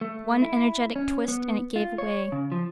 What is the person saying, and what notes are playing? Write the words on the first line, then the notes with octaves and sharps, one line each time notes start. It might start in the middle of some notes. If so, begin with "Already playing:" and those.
One energetic twist and it gave way.
A3
E4
C#4
B3
F4
C#5
C#3
F3